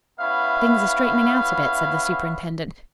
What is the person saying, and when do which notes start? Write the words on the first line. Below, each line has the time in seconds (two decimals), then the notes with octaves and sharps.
"Things are straightening out a bit," said the superintendent.
0.20 B3 C#4 E4 E5 F5